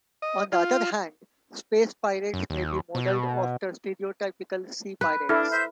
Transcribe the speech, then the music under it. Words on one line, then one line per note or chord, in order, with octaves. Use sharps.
On the other hand, space pirates may be modeled after stereotypical sea pirates.
D#5
F4
F#2
D#2
B2
B4
D4 E4 A4 F6
C5 E5 G6